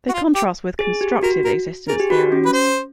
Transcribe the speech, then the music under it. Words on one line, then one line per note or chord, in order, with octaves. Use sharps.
They contrast with "constructive" existence theorems.
F#4
F4
G4
G#4
G4
F#4 A#4
A#4
G#4 A#4
G4
F#4 B4
C#4
B4
C5